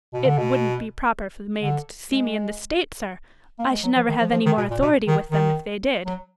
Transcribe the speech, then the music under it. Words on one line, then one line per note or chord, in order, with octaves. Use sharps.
It wouldn't be proper for the maids to see me in this state, sir; I should never have any more authority with them if they did.'
B2
D3
B2
D3
G#3
A#3
G#3
F#3
F3
D#3
F3
F3
D#3
B2
A#2
B2
D#3
D#3
F#3